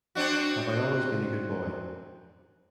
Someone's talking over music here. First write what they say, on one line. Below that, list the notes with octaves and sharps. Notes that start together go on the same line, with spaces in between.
Have I always been a good boy?
C4 D4 F#4